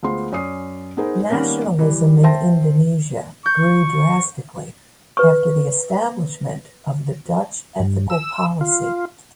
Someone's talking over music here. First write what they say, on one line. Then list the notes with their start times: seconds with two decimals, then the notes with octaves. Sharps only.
Nationalism in Indonesia grew drastically after the establishment of the Dutch Ethical Policy.
0.03 D2 G#3 B3 F4 C5 C6
0.32 F#2 C#4 D5 D#6 C7
0.97 B3 D#4 G#4 A#4 C5
1.30 D#3 G3 A#3 B3 C#4 A#4
1.79 E3 G3
2.23 C5 E5 G5 A5 C6 A#6
3.46 C#6 G6
5.17 B4 C#6
7.80 G2
8.10 E6
8.61 F4